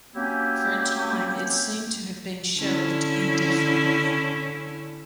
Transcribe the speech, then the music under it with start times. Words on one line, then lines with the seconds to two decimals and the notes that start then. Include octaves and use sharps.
For a time, it seemed to have been shelved indefinitely.
0.15 F#3 A#3 C4 C#4 E4 G4
2.59 D3 C#4 E4